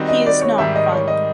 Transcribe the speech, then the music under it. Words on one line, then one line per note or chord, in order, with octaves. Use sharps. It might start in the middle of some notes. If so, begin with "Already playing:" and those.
He is not final.
Already playing: D#3 G3 C4 D#4 F#4
D#5
D5
C#5
G#2 D#3 G3 E5
D#5
C#5
D#5